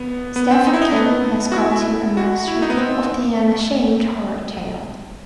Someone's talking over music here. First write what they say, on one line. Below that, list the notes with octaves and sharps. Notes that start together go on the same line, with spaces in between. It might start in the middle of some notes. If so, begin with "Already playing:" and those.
Stephen King has called him "a master of the unashamed horror tale".
Already playing: B3
B3
C4
D#4
E4
D#4
A3
B3
F#4
E4
E4
F#4
E4
D#4
B3
C4